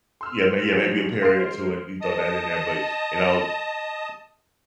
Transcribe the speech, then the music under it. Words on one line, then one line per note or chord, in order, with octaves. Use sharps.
yeah, may yeah, maybe a parot too, and you throw that in there, but, you know,
C6 E6 F6
F#1 F3 C#4 F#4 G#4
F5 C6 F6 C7 D7
G#3 C5
D#5 A5 D#6